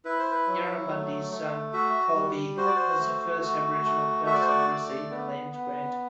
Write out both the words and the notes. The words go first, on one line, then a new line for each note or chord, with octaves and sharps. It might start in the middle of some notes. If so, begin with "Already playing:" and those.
Yarramundi's son, Colbee, was the first Aboriginal person to receive a land grant.
E4 B4
C5
B4
F#3
A3
A3
F#4 E5
G3
F#4 C5
D5
C5
A3
F#4
A3
F#4 E5
D5
C5
D5
A3
B3
B3